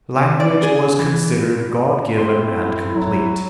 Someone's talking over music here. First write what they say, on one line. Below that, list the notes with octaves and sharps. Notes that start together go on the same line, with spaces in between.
Language was considered God-given and complete.
C3
D5
G#4
E3
C4 E4 A4 C6
F#3 E4